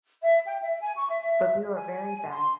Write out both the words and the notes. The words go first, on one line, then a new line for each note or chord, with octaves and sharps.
But we were very bad.
E5
G5
E5
G#5
C#6
E5
G#5
C6